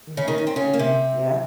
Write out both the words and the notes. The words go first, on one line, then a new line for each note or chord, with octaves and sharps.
Mhm, mhm, yeah.
C#3 C#4
D#3 D#4
C#4
C4
C#3 C#4
A#3
C3 C4